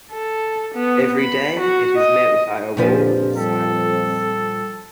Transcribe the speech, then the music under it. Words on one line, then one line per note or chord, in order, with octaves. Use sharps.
Every day it is met by a wall of silence.
A4
B3
B5
F#4
D#5
F2 A#2 F3 D4 G4 B4
G3 A4